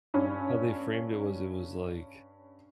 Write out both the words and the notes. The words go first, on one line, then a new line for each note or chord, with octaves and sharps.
how they framed it was it was like,
G2 C#4